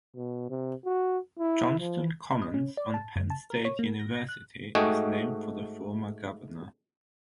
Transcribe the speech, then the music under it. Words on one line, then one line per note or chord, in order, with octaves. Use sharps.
Johnston Commons on Penn State University is named for the former governor.
B2
C3
F#4
E4
F3
D#5
C#4
D5
A5
F#2
A5
A#4
C#5
A#3
A#6
A#6
F#6
G#2 A3 F#4 D#5 G5 G#5